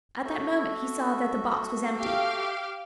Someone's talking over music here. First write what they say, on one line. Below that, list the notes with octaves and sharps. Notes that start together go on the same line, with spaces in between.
At that moment he saw that the box was empty.
F#4 A4 E5
G4 F5